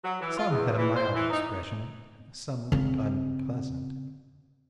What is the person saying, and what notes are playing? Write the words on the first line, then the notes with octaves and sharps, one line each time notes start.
Some had a mild expression, some looked unpleasant.
F#3
E3
F4
E2
E3
C5
E3
D#4
C#3 C4